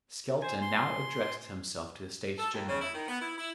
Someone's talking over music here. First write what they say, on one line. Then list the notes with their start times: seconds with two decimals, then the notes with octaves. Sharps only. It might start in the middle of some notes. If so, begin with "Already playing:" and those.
Skelton now addressed himself to the States General.
0.42 C5 G#5
0.62 C6
2.38 A4
2.53 D#2
2.68 C#3
2.81 E4
2.94 D#3
3.08 B3
3.20 E4
3.37 E4